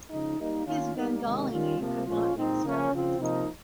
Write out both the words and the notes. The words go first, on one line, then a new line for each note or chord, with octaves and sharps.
His Bengali name could not be discovered.
C#3 F3 G#3 D#4
G3 A#3 D#4
D#3 A#3 C#4 F4
G3 A#3 D#4
C3 D#3 G#3
D#3 G3 C#4 F4
C3 F3 A#3
A#2 F3 G#3 C#4 F4
A#2 G#3 C4 D#4
C#3 F3 A#3 C#4
C#3 F3 C4 F4
C3 F3 A#3 D#4